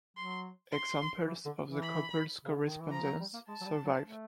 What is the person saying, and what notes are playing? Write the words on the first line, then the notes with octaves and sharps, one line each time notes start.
Examples of the couple's correspondence survive.
F#3 C6
C6
E3
D3
E3
B5
C#3
D3
D#3
E3
F3 A#5
F3
F#3
G3
A#3
G#3 A5
F#3
G3
F#3
A3